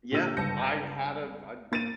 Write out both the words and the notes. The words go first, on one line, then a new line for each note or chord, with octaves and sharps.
Yeah, I had a I d
A#2 D3 G4 E6 D#7
G1 C#2 A5 G6 A#6 C#7
A#3 A6 D7 D#7